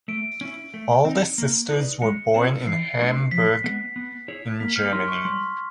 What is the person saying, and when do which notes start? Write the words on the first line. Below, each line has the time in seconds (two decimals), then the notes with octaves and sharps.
All the sisters were born in Hamburg in Germany.
0.08 A3 D7
0.41 C#4 E4
0.74 A3
1.05 C4 D#4
1.38 A#3
1.71 D#4 G#4 B4 D5
2.02 G#3 C#7
2.34 C4 F4 G#4 C5
2.67 E3 C7
2.99 A3 D4 F#4 B4
3.31 F3 B6
3.64 G#3 B3
3.96 B3
4.28 E4 G#4 C#5
4.60 A#3 B6
4.76 F6
4.93 D#4 G4 A#4 C#5 C6
5.08 C#6
5.25 G3 C6